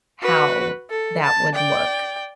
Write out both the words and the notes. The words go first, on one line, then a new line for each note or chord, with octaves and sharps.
how that would look.
F#4 B4
A4
A5
D5 G5